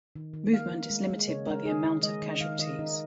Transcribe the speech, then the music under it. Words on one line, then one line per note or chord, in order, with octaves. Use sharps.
Movement is limited by the amount of casualties.
D#3
D#3
A#3 F5
A#3
G#3
G#3
C#3 C#5
G#3 A#4
D#3 G#4
D#3
G#3 D#5
D#3
D#3 F5
D#3 D#5
D#3 D#4